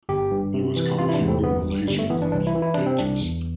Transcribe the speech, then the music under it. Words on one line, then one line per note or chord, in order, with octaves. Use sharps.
He was called Hero Malaysia on the front pages.
G1 G4
G2
C3
E3
C3 F4
E4
D4
E2
C4
G1 B3
G2
G1 G3
A3
E3 B3
D4
C2 D4
E4
E3
E4
C3 D4
C4
C2 D4
E2